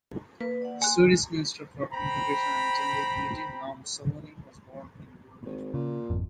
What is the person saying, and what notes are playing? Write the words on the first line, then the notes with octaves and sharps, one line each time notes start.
The Swedish Minister for Integration and Gender Equality, Nyamko Sabuni, was born in Burundi.
A#3 B4
D5 F#5
G#5 C6 F#6
D#3 G#3
C5 G5 A#5 B5
G#1
A#2 C#3
G#1 F2